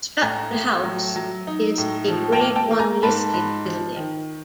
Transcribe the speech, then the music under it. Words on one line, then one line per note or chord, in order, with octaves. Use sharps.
Stratford House is a Grade One listed building.
A2 G#5 A#5
A2
F#3
F#3
D#4
A2
F3
G5 A5
A#3
G5 A5
A#3
G#5 A#5
G#2 A5 B5
G#2
F3
D#3